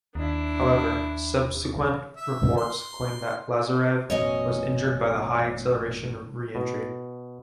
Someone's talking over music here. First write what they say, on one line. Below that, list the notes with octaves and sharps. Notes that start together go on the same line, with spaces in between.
However, subsequent reports claimed that Lazarev was injured by the high acceleration of re-entry.
D#2 D4 E4
E5
C6
A1 F#2 B2 C#5 D#5 G#5
B2